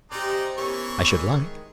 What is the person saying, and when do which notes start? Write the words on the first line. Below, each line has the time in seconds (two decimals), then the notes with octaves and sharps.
"I should like."
0.11 G#3 C4 D#4 G4 D5
0.58 E3 B3 C#4 A#4 C#5 C#6
1.10 D#3 G#3